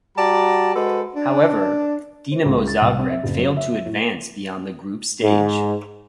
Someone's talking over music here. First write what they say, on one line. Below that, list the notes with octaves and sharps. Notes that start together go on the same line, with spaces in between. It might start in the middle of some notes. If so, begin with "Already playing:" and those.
However, Dinamo Zagreb failed to advance beyond the group stage.
G3 F#4 D5 A5 A#5
G#3 F#4 A4 B4 C5
D4
C5
C#2
A6
C2
C4
E5
F#1
F#3
E5
E5
A2
G#2